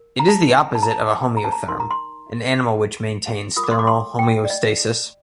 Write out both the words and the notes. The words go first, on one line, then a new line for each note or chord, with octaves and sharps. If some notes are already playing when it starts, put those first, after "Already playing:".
It is the opposite of a homeotherm, an animal which maintains thermal homeostasis.
Already playing: A#4
A#5
A5
A5
A#5
A5
A#5
A5
A#5
D#4 A#4 C6
A#5
C6
F4 A#4 D#6
D6
C6
D6
C6
G5
D5
D#5